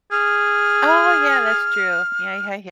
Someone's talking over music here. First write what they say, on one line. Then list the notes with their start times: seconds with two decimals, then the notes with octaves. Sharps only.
Oh, yeah, that's true. Yeah, yeah,
0.12 G#4 F6